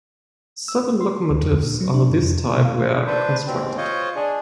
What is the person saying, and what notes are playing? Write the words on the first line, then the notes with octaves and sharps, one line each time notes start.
Seven locomotives of this type were constructed.
E6
B4
C6
D2
F2
A#2
F#3
D4
G2
F2
B2
F5
D4 B4 C5
D#2 G#2 B2 C4
F4 C5 C#5 D#5
D4 G#4